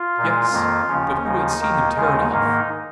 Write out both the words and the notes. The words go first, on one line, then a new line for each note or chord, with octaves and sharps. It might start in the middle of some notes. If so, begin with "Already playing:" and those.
Yes! but who had seen him tear it off?
Already playing: F4
A#2 G#3
F2 D#3 A#3
D#2 C#3 F3 C#4
D#2 C#3 F3 D#4
D#2 D#3 A#3
D#2 C#3 G#3
G#2 D#3 A#3 D#4